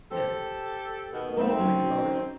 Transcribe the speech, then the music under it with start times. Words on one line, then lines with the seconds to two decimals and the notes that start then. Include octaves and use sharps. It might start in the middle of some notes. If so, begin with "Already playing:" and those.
HIM: I'll think about it.
0.11 G4 A4 C5
1.13 B2 D#3 B3
1.37 A3 C4 D#4 E5
1.58 F#3 C#4 D4